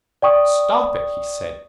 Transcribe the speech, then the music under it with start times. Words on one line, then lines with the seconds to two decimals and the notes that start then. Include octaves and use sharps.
"Stop it," he said.
0.22 D5 G5 C#6 D#6